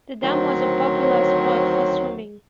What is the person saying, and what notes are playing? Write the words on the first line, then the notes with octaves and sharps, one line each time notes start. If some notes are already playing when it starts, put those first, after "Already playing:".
The dam was a popular spot for swimming.
D2 D#3 F#3 C4 C5 C#5